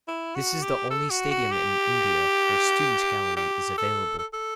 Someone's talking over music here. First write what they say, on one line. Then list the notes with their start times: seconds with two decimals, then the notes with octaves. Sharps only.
This is the only stadium in India where Students Gallery is available.
0.08 E4
0.35 F#4
0.62 G4
0.90 A4
1.10 F#4
1.31 F#4
1.52 G4
3.36 G4
3.78 A4
4.18 A4
4.33 A4